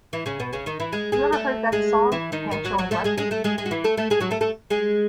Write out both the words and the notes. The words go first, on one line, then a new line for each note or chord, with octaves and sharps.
You ever heard that song Pancho and Lefty?
E3 E4
C#3 C#4
B2 B3
C#3 C#4
D#3 D#4
E3 E4
G#3 G#4
G#3 G#4
A3 A4
G#3 G#4
E3 E4
D#3 D#4
D#3 D#4
F#3 F#4
F#3 F#4
A3 A4
G#3 G#4
G#3 G#4
A3 A4
G#3 G#4
G#3 G#4
F#4
E3 E4
A3 A4
A3 A4
G#3 G#4
F#3 F#4
A3 A4
A3 A4
G#3 G#4